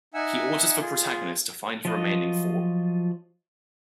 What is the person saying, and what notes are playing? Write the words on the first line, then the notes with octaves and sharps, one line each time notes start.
He orders the protagonist to find the remaining four.
D#4 E5 F#5 G#5 E6
F4 G#4
F3 F#3 F4 D#5 F#6